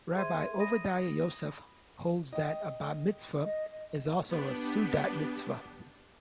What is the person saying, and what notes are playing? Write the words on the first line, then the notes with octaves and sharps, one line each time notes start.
Rabbi Ovadiah Yosef holds that a Bat Mitzvah is also a seudat mitzvah.
G#4 C5 E5 C6 G#6 D#7
B5 D#6 A#6 D#7
D#5 G5
D#5
B3 D4 G4